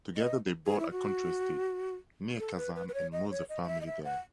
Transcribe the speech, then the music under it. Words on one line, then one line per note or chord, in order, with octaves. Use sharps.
Together they bought a country estate near Kazan and moved the family there.
D#5
G#4
E4
F#4
A4
B4
B4
B4
C#5
D#5
C#5
D#5
D#5
E5
D#5
E5
F#5